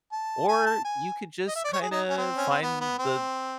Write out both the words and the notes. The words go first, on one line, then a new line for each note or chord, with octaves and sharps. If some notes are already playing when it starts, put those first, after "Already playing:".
or you could just kinda find the
A5
G#5
A5
G#5
D#5
E5
D5
C#5
G#4
D#4
C#4
C4
C#4
C4
B3
B3
C4